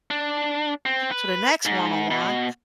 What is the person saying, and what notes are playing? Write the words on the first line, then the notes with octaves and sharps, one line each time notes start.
So the next one-on-one,
D4
C4
B4
G#2
B2